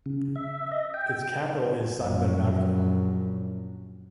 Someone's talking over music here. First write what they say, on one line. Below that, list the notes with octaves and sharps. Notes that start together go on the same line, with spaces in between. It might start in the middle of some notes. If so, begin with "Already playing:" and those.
Its capital is San Bernardo.
C#3
E5
D#5
G5
A#1 F#2